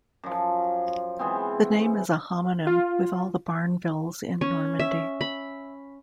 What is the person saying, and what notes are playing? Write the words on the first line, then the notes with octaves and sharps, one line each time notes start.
The name is a homonym with all the Barnevilles in Normandy.
F#2 F3
E3 G#3 B3 C4
F4
C#4
E5
B5